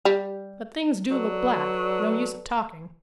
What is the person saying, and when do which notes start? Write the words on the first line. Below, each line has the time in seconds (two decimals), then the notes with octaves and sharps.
But things do look black, no use of talking.
0.05 G3
1.10 F#3 A4 B4 D5